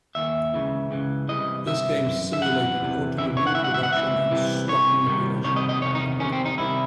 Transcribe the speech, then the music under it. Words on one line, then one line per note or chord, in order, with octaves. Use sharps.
This game simulated automobile production and stock manipulation.
D#2 D#3 E5
C#2 C#3 E3
C#2 C#3 E3
C2 C3 E3 D#5
C2 C3 E3 E5
F#2 E3
E5
F#2 E3 F#5
E2 C3 E3
E2 C3 E3 E5
C#5
F#5
C#2 C#3 E3 E5
F#5
E5
F#5
C#2 C#3 E3 E5
C2 C3 E3
C2 C3 E3 C#5
C2 C3 D#3
C2 C3 D#3 C#5
D#5
D#5
E2 C3 D#3 C#5
D#4
E2 C3 D#3 C#4
C4
D#4
C2 C3 D#3 E4